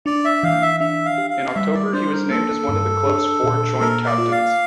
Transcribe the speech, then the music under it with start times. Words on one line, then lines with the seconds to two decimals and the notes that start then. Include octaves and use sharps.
In October, he was named as one of the club's four joint-captains.
0.06 D4 D5
0.25 E5
0.43 E3 F5
0.62 E5
0.80 D4 E5
1.05 F5
1.18 G4
1.30 F5
1.55 G3 E5
1.74 D5
1.93 D4 C5
2.12 A#4
2.30 A#3 A4
2.68 G2
3.06 D4
3.44 A#2
3.81 A#3 A#4
4.06 D5
4.18 F4
4.31 F5